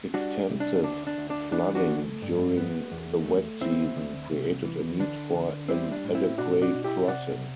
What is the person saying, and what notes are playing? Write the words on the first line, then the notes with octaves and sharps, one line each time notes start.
Extensive flooding during the wet season created a need for an adequate crossing.
G3 D4 F#4
C2
D4
D2 D4
D4
D2
D4
E3 D4
D4 F#4
A3
G2
B3
E2
A3
D2 C4 E4
D2
C2
E3
D3 D4
D3
G3 C4 E4
D4
A2
C4 E4
B2 D4 F#4
D4 F#4
B2
E4 G4
C3 D5 F#5